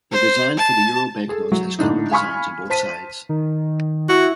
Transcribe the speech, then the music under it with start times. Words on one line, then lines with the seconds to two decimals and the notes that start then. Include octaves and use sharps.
The design for the euro banknotes has common designs on both sides.
0.13 C5
0.57 A5
1.29 G#4 A4
1.52 F#3
1.79 A2 D3 D4 D#4
2.11 F5 G#5 B5 C#6 F6
2.70 C5 A5 B6 D#7
3.29 D#3
4.09 E4 F#4